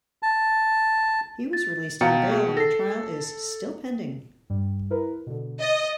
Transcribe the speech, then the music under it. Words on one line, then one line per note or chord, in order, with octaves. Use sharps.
He was released on bail and the trial is still pending.
A5
A6
B2 F5 G5 A#5 A6 C#7
G#4
A4 A#6 C7
G2 G3
E4 A#4 B4
B2 D3
D#5 A6